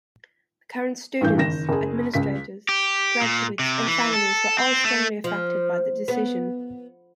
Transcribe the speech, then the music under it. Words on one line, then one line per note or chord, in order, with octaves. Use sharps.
The current students, administrators, graduates, and families were all strongly affected by the decision.
A1 G2 E3 A3 G6
F#1 D#3 A#6 E7
F#1 G#4
C#2 B6
G4
A#2
C3
E3
A4
C4
A3
F3
B3